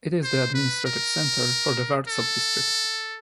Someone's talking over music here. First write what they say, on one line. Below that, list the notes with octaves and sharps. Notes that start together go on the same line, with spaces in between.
It is the administrative center for the Varzob district.
C5
B4
A#4
A4